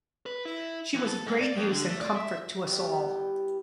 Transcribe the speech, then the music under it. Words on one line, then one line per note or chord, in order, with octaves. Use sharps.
She was of great use and comfort to us all.
B4
E4
E3
A4
G#2
D5
F2
D3
A3
D5
E5
G3 B3 E4 G4